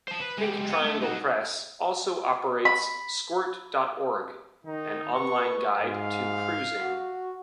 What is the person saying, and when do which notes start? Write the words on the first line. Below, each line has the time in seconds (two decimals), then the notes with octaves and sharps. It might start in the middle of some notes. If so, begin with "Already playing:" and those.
Pink Triangle Press also operates squirt dot org, an online guide to cruising.
0.08 C5 A5
0.20 B4
0.38 G#3 G4
0.70 B3
0.85 A3
1.03 D#4 F#4
2.65 B5
4.65 D#3 D#4
5.14 B4 C#6
5.81 G#2 F5
6.81 F#4